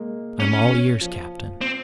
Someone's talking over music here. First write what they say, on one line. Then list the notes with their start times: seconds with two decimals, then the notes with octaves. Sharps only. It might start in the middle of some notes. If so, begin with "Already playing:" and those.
"I'm all ears, captain."
Already playing: G#3 A#3
0.40 C#4
1.01 F3
1.61 C4